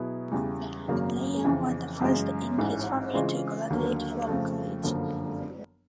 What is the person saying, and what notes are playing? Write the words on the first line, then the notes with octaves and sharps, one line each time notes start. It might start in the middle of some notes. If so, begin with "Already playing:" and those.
Ryan was the first in his family to graduate from college.
Already playing: B2 F#3 B3 E4 G#4
E2 C#3 E3 G3
G#1 F#2 C#3 F#3 A#3
F2 C#3 E3
F#2 C#3 E3 G#3 C#4
A1 G#2 E3
C#3 E3 G#3 C4 F4
D#2 D3 F#3 A#3
F2 C#3 F3 A3
G1 F#2 D3 F3 A#3